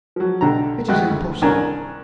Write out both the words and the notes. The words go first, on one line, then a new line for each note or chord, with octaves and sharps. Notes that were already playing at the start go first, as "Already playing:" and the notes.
It is impossible.
F3 F#3
B1 D3 D4 G4 A#5
F#2 G#3 A3 G4 D#5 F#6
D2
C2 D#3 C#4 D4 G#5 A#5